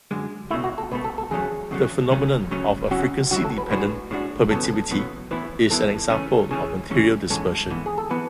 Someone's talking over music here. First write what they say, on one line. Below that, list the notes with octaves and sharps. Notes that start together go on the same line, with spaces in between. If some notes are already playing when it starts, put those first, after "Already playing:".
The phenomenon of a frequency-dependent permittivity is an example of material dispersion.
F#2 D3 G#3
C#2 B2 A3 E4
F#4
A4
C#2 B2 A3 B4
A4
A4
E2 C#3 F#3 A3 G#4
E2 C#3 F#3 A3
C#2 C#3 F#3 A3 C#4
C#2 C#3 F#3 A3 C#4
C#3 F#3 C#4 E4 F#4
C#3 F#3 C#4 E4 F#4
A4
B4
A2 G#3 D4 F#4 B4
A2 G#3 D4 F#4
F#2 C#3 E3 B3 A4
F#2 C#3 E3 B3
A2 E3 B3 E4 B4
A2 E3 B3 E4 A4
C#3 E3 A3 C#4
C#3 E3 A3 C#4 G#4
G#2 E3 G#3 C#4
G#2 E3 G#3 C#4 A4
G#2 E3 B3
G#4
A4
E3 B3 B4